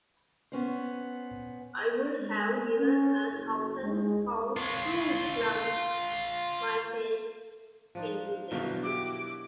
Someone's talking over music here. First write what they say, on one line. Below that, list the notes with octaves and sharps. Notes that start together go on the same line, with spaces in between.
I would have given a thousand pounds to plunge my face into that.
B3 C#4 C5
G#3
C#4
F#1
G#3
F4 C#5
F3 D4 D#4
G1 B2 E3 F#3 D4 F4 A#4
E4 F#4 G4 D6